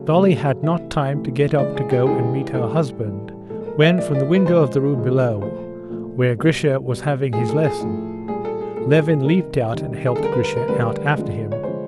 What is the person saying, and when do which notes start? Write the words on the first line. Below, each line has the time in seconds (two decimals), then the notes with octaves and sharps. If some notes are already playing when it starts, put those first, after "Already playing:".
Dolly had not time to get up to go and meet her husband, when from the window of the room below, where Grisha was having his lesson, Levin leaped out and helped Grisha out after him.
Already playing: C#3 F#3 A3
0.15 C#3 F#3 A3
0.63 C3 E3 A3 E5
1.11 C3 E3 A3
1.59 C#3 E3 G#3 D5
1.75 G#4
1.91 G4
2.06 C#3 E3 G#3 G#4
2.54 A2 E3 G3 A4
3.03 A2 E3 G3
3.50 A#2 F3 G#3 A4
3.61 A4
3.66 A#4
3.83 E5
3.98 A#2 F3 G#3 D5
4.15 D5
4.35 B4
4.46 C#3 F3 G#3 C5
4.94 C#3 F3 G#3
5.42 A#2 F3 A3 C5
5.90 A#2 F3 A3
6.38 B2 G3
6.85 B2 G3
7.33 A2 F3 A3 G#4
7.49 A4
7.65 G#4
7.81 A2 F3 A3
8.28 A#2 G3 G#4
8.45 A4
8.61 G#4
8.77 A#2 G3 A4
8.93 G#4
9.08 G#4
9.24 C3 D#3 G3 A#4
9.72 C3 D#3 G3
10.06 G#4
10.16 A4
10.20 D3 G3 A#4
10.32 B4
10.44 A#4
10.56 A#4
10.68 D3 G3 B4
11.15 D3 F3 G#3
11.52 C#5
11.63 D3 F3 G#3 C5